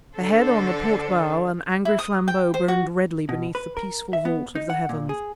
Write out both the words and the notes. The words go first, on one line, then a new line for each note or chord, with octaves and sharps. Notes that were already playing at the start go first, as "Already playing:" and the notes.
Ahead, on the port bow, an angry flambeau burned redly beneath the peaceful vault of the heavens.
D3 D4 A4 C5
E4
D#6
G5
C5
F#4
B2
B4
A#4
E5
B3
D#4
F#5
A#2
G#4